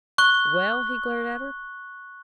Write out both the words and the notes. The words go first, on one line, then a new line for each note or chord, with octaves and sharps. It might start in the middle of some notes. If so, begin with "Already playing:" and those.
"Well?" he glared at her.
C#6 F#6 G7